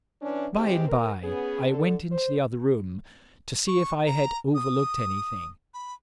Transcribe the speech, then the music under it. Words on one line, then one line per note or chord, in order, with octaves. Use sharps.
By-and-by I went into the other room to see if I had overlooked anything.
E3 C#4 D4
B2 D#3 E3 G#3 C4 G4
A#4
B3 C#4 G#4
D3 A4
C5
C#6
A#5
D#6
B5